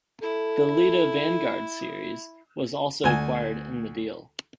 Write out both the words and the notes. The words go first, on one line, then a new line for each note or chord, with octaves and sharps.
The Lledo Vanguards series was also acquired in the deal.
E4 A4
D2 G#5